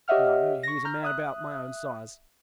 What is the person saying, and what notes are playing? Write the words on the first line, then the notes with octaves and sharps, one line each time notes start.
"No, he is a man about my own size."
G4 C#5 D#5 E5 F#5 F6
C#6 A#6
A#5 F6 G6
E5 D#6 F#6